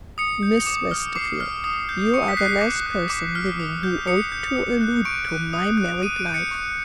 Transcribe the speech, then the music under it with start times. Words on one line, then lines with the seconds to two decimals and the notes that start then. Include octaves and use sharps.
"Miss Westerfield, you are the last person living who ought to allude to my married life."
0.18 D#6 C#7
0.43 G6
0.66 D6
0.91 F6
1.15 D6 C7
1.40 F6
1.64 D#6
1.89 G6
2.14 C#6 C#7
2.28 B6
2.37 F#6 C7
2.61 D6 C7
2.86 F#6
3.10 D6
3.35 F6
3.60 D#6
3.83 G6
4.07 D#6 C#7
4.32 G6
4.57 D#6
4.81 F#6
5.05 C#6 D7
5.29 F#6
5.53 D#6
5.77 F#6
6.02 D#6 D#7
6.19 D7
6.26 G6
6.34 C#7
6.51 C#6